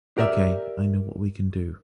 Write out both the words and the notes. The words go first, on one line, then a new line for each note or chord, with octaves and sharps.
OK, I know what we can do.
G4 A#4 D5 E5